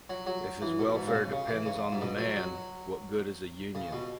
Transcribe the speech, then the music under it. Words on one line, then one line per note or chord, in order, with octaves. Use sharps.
If his welfare depends on the man, what good is a Union?
F#3
F#3
E3
B2
G#2
C#3
B2
C#3
E3
C#3
G#2
B2
F#3
F#3
C#3
B2